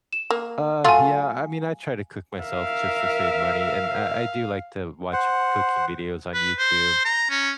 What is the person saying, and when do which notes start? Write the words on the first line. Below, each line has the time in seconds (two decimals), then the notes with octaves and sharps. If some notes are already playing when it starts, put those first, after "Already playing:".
Uh, yeah, I mean, I try to cook myself just to save money, and I I do like to watch cooking videos on YouTube,
0.13 E7
0.30 A#3
0.84 F#3 A3 F4 F5 G#5
2.41 A#4 E5 F5
5.13 C5 F#5
6.34 B4
6.58 C5
7.05 A#5
7.30 C#4